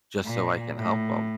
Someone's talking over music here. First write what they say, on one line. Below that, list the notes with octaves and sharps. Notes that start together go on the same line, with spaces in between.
just so I can help 'em.
A#2
A2